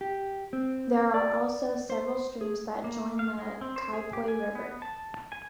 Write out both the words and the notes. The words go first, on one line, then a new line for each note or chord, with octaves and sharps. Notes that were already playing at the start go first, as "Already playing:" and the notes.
There are also several streams that join the Kaiapoi River.
G4
C4
D5
C5
G#4
A#3
F5
G#3
C4
C5
G#4
G4
G#5
B3
A5
G#5